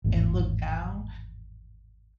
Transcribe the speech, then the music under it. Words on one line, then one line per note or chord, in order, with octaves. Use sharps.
and look down
G#1 E2 A2